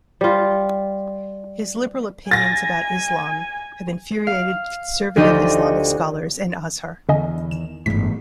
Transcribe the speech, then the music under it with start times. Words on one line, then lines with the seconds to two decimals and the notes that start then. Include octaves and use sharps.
His liberal opinions about Islam have infuriated conservative Islamic scholars and Azhar.
0.21 G3 F4
2.31 G#5 A6 A#6
4.27 F5
5.16 D2 F3 D#4 G4 D5 D#5
7.09 E2 D3 D#5 G#5
7.51 D#3 E7
7.86 D1 G1 A2 E3 G#3 B6